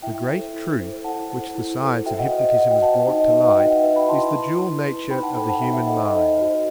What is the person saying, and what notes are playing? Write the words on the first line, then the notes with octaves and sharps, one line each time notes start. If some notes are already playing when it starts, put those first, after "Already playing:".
The great truth which the science of hypnotism has brought to light is the dual nature of the human mind.
E4 E5 G5
A4 C5
E4
A4 C5
E4 F#5 A5
A4 C5
E4
A4 C5
F#4 E5 G5
D#5 F#5
C5 D#5
D#5
F#4 D#5 F#5
G5
C5 F#5 A5
D#4 D#5
D#5
F#4 B4 E5
D#5 F#5
D#4 E5 G5
D#5 F#5
F#4 B4 E5
G5 B5
E4 A5 C6
B4
E4
B4
D#4 G5 B5
F#5 A5
A4 C5 G5 B5
F#5 A5
D#4 E5 G5
E5
A4 C5 D#5 F#5
D#5
D#4
F#4 C5